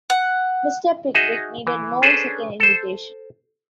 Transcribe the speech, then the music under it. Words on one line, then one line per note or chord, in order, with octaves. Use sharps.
Mr. Pickwick needed no second invitation.
F#5
D#4 F#4 G#4 D#5 E5
E3
C#4 D4 G#4 A4 B4 C5
A4 C5